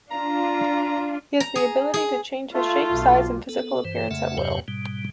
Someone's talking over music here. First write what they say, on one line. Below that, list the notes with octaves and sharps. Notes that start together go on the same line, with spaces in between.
He has the ability to change his shape, size, and physical appearance at will.
D4 F4 A#5
A#5
G#4
G#4
A3 F4
B1
B3 A4
G2 E3 C5
F2 C#3 A3 E5 F#5
E2 G2 C3 F#3 G4 C#5
G#2 B2 G3